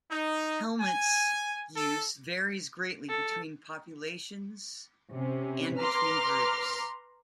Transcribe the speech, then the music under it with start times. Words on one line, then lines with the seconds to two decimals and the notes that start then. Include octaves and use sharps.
Helmets use varies greatly between populations and between groups.
0.10 D#4
0.81 G#5
1.76 A4
3.09 A4
5.12 C3 C#4
5.80 B4 A#5 C6 D6 F6